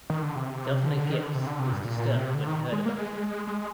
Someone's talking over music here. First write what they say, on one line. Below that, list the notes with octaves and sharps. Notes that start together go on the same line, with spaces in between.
Governor Gipps was disturbed when he heard about it.
D#3
D3
C3
D3
D3
D#3
D3
C3
D3
C3
G2
A#2
A#2
C3
D3
D#3
G#3
A#3
G#3
G#3